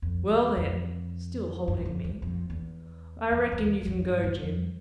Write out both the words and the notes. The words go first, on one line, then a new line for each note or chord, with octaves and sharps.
Well, then"--still holding me--"I reckon you can go, Jim.
F2
E2
F2
F#2
F2
E2
F2
E2
F2
F2
E2
E2
F2
G2
E2
F2